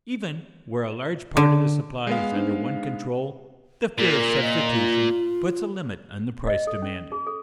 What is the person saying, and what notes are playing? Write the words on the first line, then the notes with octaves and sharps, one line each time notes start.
Even where a large part of the supply is under one control, the fear of substitution puts a limit on the price demanded.
D3
G#3 B3 F5
D4 D#4 C5
A#2 A#4
D#5
F4
D#5
A4
C#4
G#4
A4